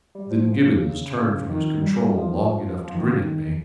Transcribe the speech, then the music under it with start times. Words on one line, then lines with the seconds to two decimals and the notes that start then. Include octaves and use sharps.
Then Gibbons turned from his control long enough to grin at me.
0.15 G3
0.30 F3
0.48 F3
0.65 C#3
1.49 D#3
1.82 G3
2.17 F3
2.84 F3
2.94 D#3
3.06 C#3
3.18 D#3